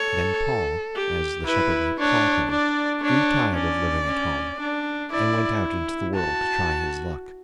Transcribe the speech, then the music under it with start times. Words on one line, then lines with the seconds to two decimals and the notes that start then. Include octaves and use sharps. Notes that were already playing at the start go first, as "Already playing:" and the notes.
Then Paul, as the shepherd had called him, grew tired of living at home, and went out into the world to try his luck.
Already playing: A4 C#5
0.95 G4
1.46 E4 B4
1.99 D4 C#5
2.50 D4 D5
3.03 D4 C#5
3.55 C#4 D5
4.07 C#4
4.60 D4
5.11 E4 D5
6.15 F#4 A5